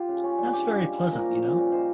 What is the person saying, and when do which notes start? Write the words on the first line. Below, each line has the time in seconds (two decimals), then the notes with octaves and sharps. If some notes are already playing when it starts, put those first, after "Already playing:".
That's very pleasant, you know!
Already playing: F4 G4
0.09 C#3
0.24 C#4
0.38 G3
0.53 G2 G4
0.68 G2
0.83 G#3
0.98 F3
1.12 A#2 A#4
1.28 A#2
1.43 C#4
1.58 G3
1.72 D#4 C5